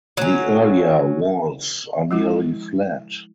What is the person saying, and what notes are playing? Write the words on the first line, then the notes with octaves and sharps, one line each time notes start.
The earlier whorls are nearly flat.
F#3 C#4
F3 G#3 E4